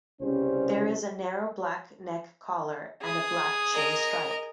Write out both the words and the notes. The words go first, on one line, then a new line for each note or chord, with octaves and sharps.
There is a narrow black neck collar and a black chin stripe.
C2 C#3 G3 B3 C#4 C5
G#4 D#6
A#4 D#5